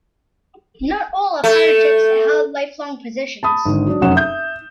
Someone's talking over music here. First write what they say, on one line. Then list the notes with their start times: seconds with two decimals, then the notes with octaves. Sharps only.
Not all apparatchiks held lifelong positions.
1.44 A3
3.43 A5 B5 D#6
3.65 G#1 D3
3.86 F#3 D4
4.01 F1 F#2 C#4 F#5 E7
4.15 E5 G6